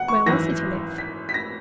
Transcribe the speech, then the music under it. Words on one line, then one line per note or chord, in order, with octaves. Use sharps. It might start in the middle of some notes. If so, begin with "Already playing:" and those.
Where was he to live?
Already playing: E1 F#5
C#6
G#1 F#2 E3 A#6
B6
B6
A#6